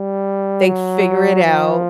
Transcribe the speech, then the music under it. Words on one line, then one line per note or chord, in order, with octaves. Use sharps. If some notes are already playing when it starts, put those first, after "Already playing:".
they figure it out,
Already playing: G3
F#3
F3